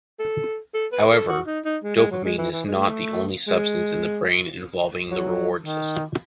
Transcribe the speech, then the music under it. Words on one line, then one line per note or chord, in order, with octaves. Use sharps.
However, dopamine is not the only substance in the brain involving the reward system.
A4
A4
B4
A4
F#4
D#4
D#4
G#3
G#3
F#3
G#3
E3
E3
G#3
A3
G#3
F#3
D#3